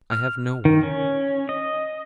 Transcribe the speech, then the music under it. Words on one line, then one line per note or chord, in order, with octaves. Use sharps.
"I have no one."
F6
D#3
C#4
D#5